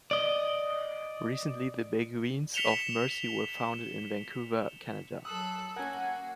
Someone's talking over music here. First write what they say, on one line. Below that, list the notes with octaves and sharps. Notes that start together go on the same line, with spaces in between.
Recently, the Beguines of Mercy were founded in Vancouver, Canada.
D5 D#5
B6 C#7 E7 F7 G7
F#3 A4 D#6 E6 F#6
A#3 C#4 F#4 A#4 F#5 G#5